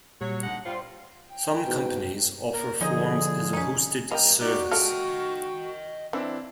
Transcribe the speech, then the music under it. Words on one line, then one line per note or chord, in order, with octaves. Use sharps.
Some companies offer forms as a hosted service.
A#2 F#3 G3 C#5
D3 D#4 F#5
G3 F4 C5 C6
G5
G#2 B2
A#4
D3 F3 D#4 G#4 D#5
C#4 D#4
B2 G3 A#3 D#5 G5 A#5
D#4 F#4 G4 D5
G#3 F4 A4 D#5 G5 F6
E3 C4 D4 E4